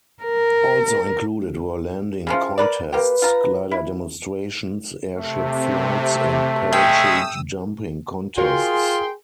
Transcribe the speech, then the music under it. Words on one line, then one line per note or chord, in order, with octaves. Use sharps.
Also included were landing contests, glider demonstrations, airship flights, and parachute-jumping contests.
A#4
C#3 E3 F3
A#4 B4 D5
A#3 G4 B4
F4 A#5
E4
C3 A3
G#3 C#4 E5 G5 D#6 E6
F4 F#4 G#4 A#4 C#5 G5 C6